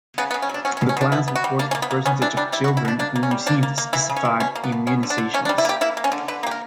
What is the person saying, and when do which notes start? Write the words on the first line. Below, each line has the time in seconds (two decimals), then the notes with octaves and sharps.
The plans report the percentage of children who received specified immunizations.
0.18 C#3 B3
0.31 B3
0.34 C#3
0.42 C#4
0.49 F#3 D4
0.65 F#3 C#4
0.77 C#4
0.81 B2
0.89 C#4
0.97 B2 D4
1.12 B3 E4
1.28 B3
1.35 F#4
1.44 G3
1.59 A#3 D4
1.71 C#4
1.75 A#3
1.82 B3
1.91 A#3
2.06 B3 C#4
2.22 E3 D4
2.37 G3 D4
2.52 G3 E4
2.64 F#4
2.68 B2
2.77 E4
2.85 B2 D4
2.99 A#3 D4
3.16 A#3
3.23 C#4
3.31 G3
3.46 A#3 D4
3.63 A#3
3.78 A#3
3.93 E3 E4
4.10 C#3
4.16 C#4
4.25 E3
4.40 B2 C#4
4.55 A#3
4.64 B3
4.72 B2
4.87 B3 C#4
5.03 D3
5.10 D4
5.18 D3
5.34 A#3 C#4
5.45 D4
5.49 G3
5.58 E4
5.65 A#3 G4
5.81 A#3 E4
5.97 A#3
6.04 C#4
6.12 D3
6.28 D3 B4
6.43 A#3 G4
6.51 A#4